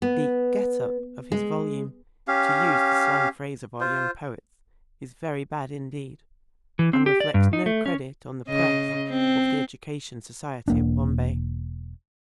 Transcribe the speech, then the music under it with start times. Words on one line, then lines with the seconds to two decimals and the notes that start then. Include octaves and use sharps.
The 'get-up' of his volume, to use the slang phrase of our young poets, is very bad indeed, and reflects no credit on the press of the Education Society of Bombay.
0.02 B3
1.32 G#3
2.28 C#4 G4 F5
3.81 F4 C5
6.79 E3
6.93 C4
7.06 G4
7.20 D5
7.34 G2
7.53 D#4
7.66 A3
7.86 C#4
8.48 C#3 D#5
9.09 C4
10.68 E1 A#3 D4